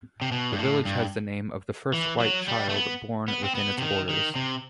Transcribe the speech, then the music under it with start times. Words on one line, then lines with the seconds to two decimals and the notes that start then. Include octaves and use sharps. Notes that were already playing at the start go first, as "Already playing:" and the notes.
The village has the name of the first white child born within its borders.
0.22 C3
0.32 B2
0.52 G2
0.59 A2
0.85 G2
1.94 E3
2.20 F#3
2.48 G3
2.69 A3
2.74 B3
3.28 B3
3.44 C4
3.55 B3
3.78 C3
3.82 D#3
4.09 D#3
4.36 C3